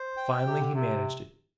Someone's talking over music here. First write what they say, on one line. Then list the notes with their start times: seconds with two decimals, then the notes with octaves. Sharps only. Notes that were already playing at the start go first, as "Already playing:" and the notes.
Finally he managed it.
Already playing: C5
0.17 G5
0.47 C3 G4
0.61 D3
0.74 C3